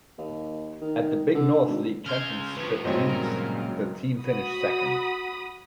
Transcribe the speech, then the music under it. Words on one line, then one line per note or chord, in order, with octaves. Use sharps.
At the Big North League Championship Meet, the team finished second.
D#2
D#3
D3
G#1
C#3 C6 F6 G6 G#6
D2 F3 B4 C#5
G#1 G2 A#2 C4 C#5 D#5
C#3 F#3 A#4
F#4 B5 D#6